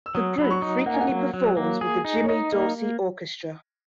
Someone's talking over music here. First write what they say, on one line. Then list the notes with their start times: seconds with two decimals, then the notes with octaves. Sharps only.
The group frequently performs with the Jimmy Dorsey Orchestra.
0.06 E6
0.15 F#3 D#6
0.38 F#3 B5
0.50 C#6
0.62 D#4
0.86 A#3 F#5
0.94 G#5
1.00 F#5
1.09 F#3
1.34 F#3
1.57 A#3
1.81 G#4
2.05 D#4
2.24 C#5
2.29 D#4 D#5
2.52 A#3